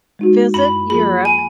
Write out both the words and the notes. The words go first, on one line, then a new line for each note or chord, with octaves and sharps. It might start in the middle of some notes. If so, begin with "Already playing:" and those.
visit Europe.
G#3 D#4 F#4
F#2 B5
F3 A#3 F4 G#4 B5
G#5